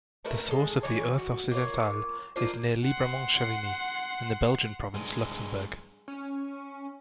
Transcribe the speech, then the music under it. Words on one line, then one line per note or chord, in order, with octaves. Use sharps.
The source of the "Ourthe Occidentale" is near Libramont-Chevigny, in the Belgian province Luxembourg.
A3 A#4 B4 E5
G#3 A4
E3 G3 C#5
F#4
A#3 F4 F#4 C#5
A#3 D4 F4 C5
F#5 C6
G2 G#3
C#4